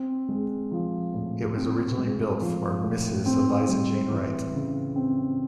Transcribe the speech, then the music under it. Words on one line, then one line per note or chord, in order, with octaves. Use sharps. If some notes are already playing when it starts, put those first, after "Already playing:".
It was originally built for Mrs Eliza Jane Wright.
Already playing: C4
G#3
F3
A2
C4
G#3
F3
A2
C4
G3
E3
C#3
C4